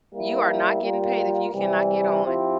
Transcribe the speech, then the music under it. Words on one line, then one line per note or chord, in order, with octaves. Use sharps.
You are not getting paid if you cannot get on.
G3 A#3 E4
G3 A#3 F4 A#4
C3 E3 G3
F3 C4 E4 G4